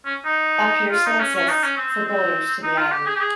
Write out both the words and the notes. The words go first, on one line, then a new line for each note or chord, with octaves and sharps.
A pier still exists for boaters to the island.
C#4
D#4
F4
D#4
C#4
C#4
D#4
C#4
C4
C4
C4
D#4
F4
G4
G#4
G4
G#4